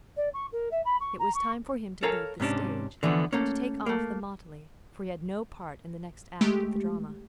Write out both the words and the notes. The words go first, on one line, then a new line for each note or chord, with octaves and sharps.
It was time for him to leave the stage, to take off the motley, for he had no part in the next act of the drama.
D5
C#6
A#4
E5
B5
C#6
A#5
C#6
A4 A#4 C#5 F5 G#5 A#5
G#2 C3 C#4 D4
D3 E3 F3 B3
A3 A#3 C#4
A3 A#3
G#3 A3 G4